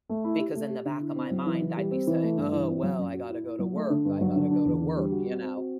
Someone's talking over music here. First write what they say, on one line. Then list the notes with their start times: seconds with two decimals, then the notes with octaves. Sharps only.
because in the back of my mind, I'd be saying, "Oh, well, I gotta go to work, I gotta go to work," you know.
0.09 A3
0.24 E4
0.40 G4
0.55 A3
0.70 G4
0.85 D3
1.00 E4
1.16 C4
1.31 F#3
1.46 E3
1.62 E3
1.77 G3
1.91 C4
2.07 E3
2.23 A3
2.37 G2
2.53 E3
2.68 C4
2.83 F#3
2.98 F#2
3.14 F#4
3.29 E4
3.44 E4
3.59 F#3
3.75 A3
3.90 D3
4.05 G2
4.20 F#3
4.36 D3
4.51 D4
4.66 E2
4.81 D3
4.96 G3
5.12 F#4
5.26 C4
5.42 C4
5.57 F#4